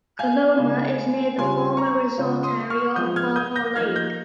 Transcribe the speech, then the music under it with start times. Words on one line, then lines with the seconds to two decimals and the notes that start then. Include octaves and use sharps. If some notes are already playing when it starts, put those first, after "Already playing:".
Coloma is near the former resort area of Paw Paw Lake.
0.19 F5 G#5
0.58 C#3 G#3 D#4
1.37 C#3 G3 C#4 F4 G#5 C6
1.77 A#5 C#6
2.18 C#3 G#3 C#4 F4
2.43 C6 D#6
2.70 C#6 F6
2.96 F3 G#3 C4 F4 D#6 G6
3.16 F6 G#6
3.36 D#6 G6
3.56 G6 A#6
3.76 F3 A#3 D#4 F6 G#6
3.96 G6 A#6